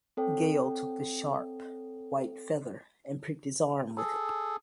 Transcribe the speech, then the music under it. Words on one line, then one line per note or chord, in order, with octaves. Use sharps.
Gale took the sharp white feather and pricked his arm with it.
C4 A4 C#5 G5
G#4 A4